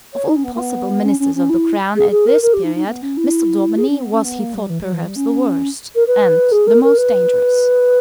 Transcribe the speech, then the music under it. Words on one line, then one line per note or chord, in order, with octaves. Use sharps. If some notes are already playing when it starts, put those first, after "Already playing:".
Of all possible Ministers of the Crown at this period, Mr. Daubeny was he thought perhaps the worst, and the most dangerous.
C#5
D#4
C#4
B3
A#3
B3
C#4
C#4
C#4
E4
G#4
G#4
A#4
A#4
G4
D#4
D#4
B3
C#4
E4
G#4
C#4
B3
C#4
B3
A#3
G3
E3
G3
E3
G3
C#4
A#4
B4
G#4
A#4
A#4
B4